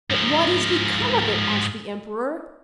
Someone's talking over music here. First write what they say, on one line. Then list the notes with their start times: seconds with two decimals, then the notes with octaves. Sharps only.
"But what is become of it?" asked the Emperor.
0.10 G#2 F3